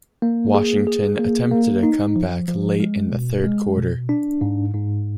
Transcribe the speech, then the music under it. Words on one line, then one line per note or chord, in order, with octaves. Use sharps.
Washington attempted a comeback late in the third quarter.
A#3
G#4
G#4
A#3
A#3
D#4
F3
F3
G#3
B2
G#3
B2
D4
G#2
G#2